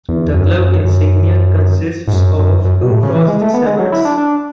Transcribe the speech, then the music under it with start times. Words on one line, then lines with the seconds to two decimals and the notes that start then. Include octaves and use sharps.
The club insignia consists of two crossed sabres.
0.09 E2
0.34 F#2
0.59 F#2
0.85 F#2
2.08 G#2
2.13 F#2
2.39 F#2
2.65 F#2
2.83 B2
2.90 A2
3.03 C#3
3.15 E3
3.28 G#3
3.42 A3
3.54 B3
3.66 G#3
3.79 F#3
3.92 E4
4.05 D4
4.18 D4